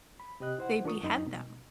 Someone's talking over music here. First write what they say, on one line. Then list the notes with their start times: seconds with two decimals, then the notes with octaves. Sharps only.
they behead them.
0.20 B5
0.40 C3 G4 D#5 F#6
0.58 E4 C5 F#5
0.84 E3 D4 F4 A#4 C#6 D#6
1.03 F#2 D#4
1.26 B2